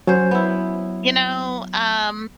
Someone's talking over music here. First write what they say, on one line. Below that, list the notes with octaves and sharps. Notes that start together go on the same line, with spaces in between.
You know, um
F#3 C#4 C5
B3 E4